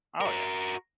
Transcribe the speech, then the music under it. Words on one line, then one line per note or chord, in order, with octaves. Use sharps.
Oh, yeah.
F#4 A#4